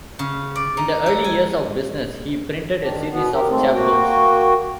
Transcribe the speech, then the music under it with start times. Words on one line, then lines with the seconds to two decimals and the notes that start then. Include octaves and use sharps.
In the early years of business, he printed a series of chapbooks.
0.19 C#3
0.55 D5
0.77 D#4
1.06 A4
1.24 G#5
2.81 D#3 D4
3.11 B2 B3
3.33 G4 A#4
3.49 G#2 A3 C4
3.73 A#3 F#4 G5